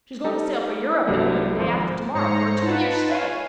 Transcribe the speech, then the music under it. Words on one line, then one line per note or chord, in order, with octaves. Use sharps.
She's going to sail for Europe at noon day after to-morrow for a two years' stay.
G3 D#4 G4 A4
C2 G2 F#3 G3 A3 A#3
G#1 F3 C5
G#2 C5 C#5 A#5 A#6 C#7
D#4 F4 B4 F#5 A5
C#5 F5 G#5